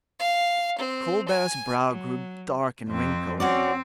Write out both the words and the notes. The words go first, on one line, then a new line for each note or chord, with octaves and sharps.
Colbert's brow grew dark and wrinkled.
F5
C4
G#5
F#3
F2 C4
C4 C#4 F#4 D5